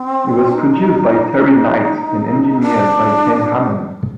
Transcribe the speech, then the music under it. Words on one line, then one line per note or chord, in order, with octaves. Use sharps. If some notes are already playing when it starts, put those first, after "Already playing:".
It was produced by Terry Knight and engineered by Ken Hamann.
Already playing: C4
D#4
D4